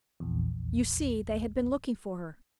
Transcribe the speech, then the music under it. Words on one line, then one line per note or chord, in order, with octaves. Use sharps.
You see, they had been looking for her.
A#1 E2